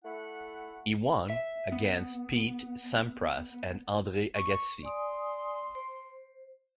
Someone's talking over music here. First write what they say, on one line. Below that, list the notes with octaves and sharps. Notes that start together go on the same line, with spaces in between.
He won against Pete Sampras and Andre Agassi.
A3 E4 F#5
E5
B3
C#6
D5 G#5 C6 D#6
C5